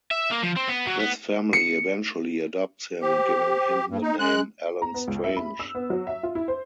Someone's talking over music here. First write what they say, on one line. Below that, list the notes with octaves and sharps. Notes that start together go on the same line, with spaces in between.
This family eventually adopts him, giving him the name "Allen Strange".
E5
A#3
F3
C4
B3
F#3
B3
C#7
G4 C5
G2 A#3
D#4
G#3 C#4 F#6
A#5
B3
C#2
E5
B5
E6
B3
F#3
E5
F4
E4
C5